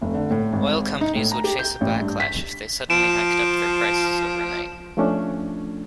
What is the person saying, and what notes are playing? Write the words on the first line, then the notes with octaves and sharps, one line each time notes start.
Oil companies would face a backlash if they suddenly hiked up their prices overnight.
F1
D3
A2
G#1
D#4
A2
A#5
G4
G6
A1
G2
B6
F3 D7 E7
F3 A3 C#4 D4